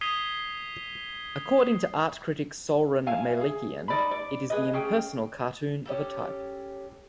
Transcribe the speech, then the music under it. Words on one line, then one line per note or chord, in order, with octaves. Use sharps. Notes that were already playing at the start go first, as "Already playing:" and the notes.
According to art critic Souren Melikian, it is the impersonal cartoon of a type.
D#6 G#6 B6 C7 D#7 G7
E4 F5 G#5
G#4
D#4 D5 B5
D5
G#4 B4 D#5
C#4 G#4 G5
C#4 G4 A4